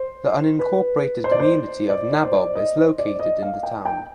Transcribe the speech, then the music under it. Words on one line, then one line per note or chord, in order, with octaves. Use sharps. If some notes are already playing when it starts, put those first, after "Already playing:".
The unincorporated community of Nabob is located in the town.
Already playing: C5
B4
C5
D5
C5
D5
D5
C5
D5
D#5
C5
D5
D#5
F5
G5
G5